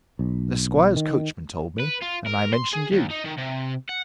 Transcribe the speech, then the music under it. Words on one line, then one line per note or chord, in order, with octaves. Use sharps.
The squire's coachman told me, and I mentioned you.
B1
D#3
B4
F4
A#4
C6
G#4
D#2
D#4
D#3
C3
F#5